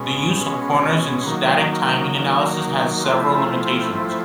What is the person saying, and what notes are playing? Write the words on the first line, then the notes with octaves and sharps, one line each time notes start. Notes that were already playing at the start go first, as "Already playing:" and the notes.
The use of corners in static timing analysis has several limitations.
Already playing: B2 G#3 C#4
B2 G#3 C#4
D#3 F#3 A#3
D#3 F#3 A#3
F3 A3 C4 E4
F3 A3 C4 E4